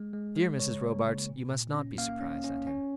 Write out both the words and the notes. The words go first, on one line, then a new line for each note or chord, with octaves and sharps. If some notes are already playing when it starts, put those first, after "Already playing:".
Dear Mrs. Robarts, you must not be surprised at him.
Already playing: G#3
G#3
G#3
C#3 C#5
A#3
C#3
A#2
A#2
C#4
A#3 F5
C#4
C#4
C#4